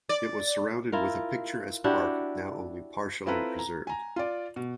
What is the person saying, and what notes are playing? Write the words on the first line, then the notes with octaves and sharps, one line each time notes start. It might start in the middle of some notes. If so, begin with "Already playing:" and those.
It was surrounded with a picturesque park, now only partially preserved.
D5
E4 F4 A#4
D4 E4 F#4 G4
C4 E4 F4 A4 B4 A#5
A#5
G#5 A#5
F4 D5
B2